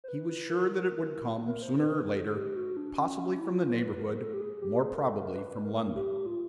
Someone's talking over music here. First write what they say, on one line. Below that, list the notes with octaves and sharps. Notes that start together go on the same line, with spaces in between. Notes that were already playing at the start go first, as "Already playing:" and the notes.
He was sure that it would come sooner or later, possibly from the neighbourhood, more probably from London.
C5
B4
B4
A#4
A#4
C5
B4
C5
B4
A#4
A4
G4
F#4
D4
C#4
C#4
E4
F4
B4
A#4
A4
G4
G#4
G4
G#4
A#4
A4
A#4
B4
B4
A#4
G4
F4